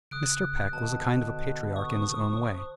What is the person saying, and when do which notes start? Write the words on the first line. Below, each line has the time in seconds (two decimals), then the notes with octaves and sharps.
Mr. Peck was a kind of a patriarch in his own way.
0.11 C#3 D#6 F#6 D7
0.73 B2 D3 A5
1.76 C#6 D#6
2.32 C5